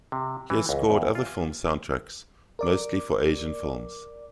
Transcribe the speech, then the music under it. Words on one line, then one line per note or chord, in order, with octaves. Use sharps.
He has scored other film soundtracks, mostly for Asian films.
C3
E3
C#2
E2
F4
A#4 D5 D6